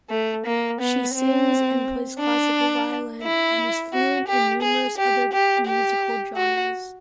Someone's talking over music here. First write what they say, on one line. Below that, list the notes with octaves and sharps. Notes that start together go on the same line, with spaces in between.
She sings, and plays classical violin, and is fluent in numerous other musical genres.
A3
A#3
B3
C4
D4
E4
F#4
G4
G#4
G4
G4
G4
F#4